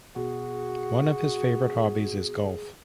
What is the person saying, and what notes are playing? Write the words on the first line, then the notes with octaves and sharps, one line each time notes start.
One of his favorite hobbies is golf.
B2 F#4 G#4